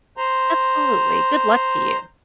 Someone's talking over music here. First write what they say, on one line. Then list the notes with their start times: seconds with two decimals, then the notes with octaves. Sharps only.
Absolutely, good luck to you.
0.17 C5 A#5 C6